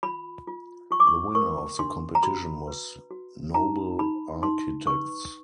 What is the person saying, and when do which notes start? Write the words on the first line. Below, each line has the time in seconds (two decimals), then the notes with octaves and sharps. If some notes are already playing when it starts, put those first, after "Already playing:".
The winner of the competition was Nobel Architects.
0.03 F4 B5
0.47 F4
0.91 F4 C#6
1.00 D6
1.07 C#6
1.35 A#4 C#6
1.79 D4 C6
2.15 A#5
2.23 F#4 B5
2.67 B4
3.11 F#4
3.54 D#4 A#5
3.99 D#4 B5
4.42 D#4 C6
4.86 B4 C#6